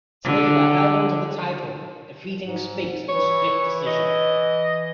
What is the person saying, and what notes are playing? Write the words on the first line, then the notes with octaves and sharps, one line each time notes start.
Taylor held on to the title, defeating Spinks in a split decision.
D3
G#2
E3 C#5
D#5